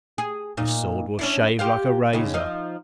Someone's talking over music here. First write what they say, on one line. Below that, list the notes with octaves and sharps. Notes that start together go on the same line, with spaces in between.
This sword will shave like a razor.
G#4
A#2 D#4
C#4 D4 E4
G4 C5 F5
D#2 C#3
F3 D#4